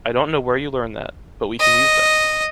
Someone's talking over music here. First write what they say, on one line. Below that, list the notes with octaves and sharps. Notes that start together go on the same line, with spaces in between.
I don’t know where you learned that, but we can use that.
D#5